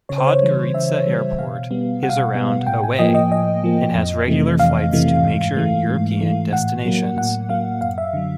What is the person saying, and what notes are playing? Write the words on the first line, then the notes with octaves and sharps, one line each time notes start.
Podgorica Airport is around away, and has regular flights to major European destinations.
C#3 C#5
C5
C#5
E3 G3
C#3 E5
E3 G3
B2 F5
G3 B3
B2 F#5
F5
F#5
G3 B3
A2 G5
G#5
F3 A#3 D#5
D#5
A2 D#5
F3 A#3
F2
C3 E3 A3
F2 F5
C3 E3 A3
G#2
E3 A3
G#2
E3 A3
A2 F#5
F#3 A#3
A2 F#5
F#3 A#3 F5
F#2 F5
E5
D3 F#3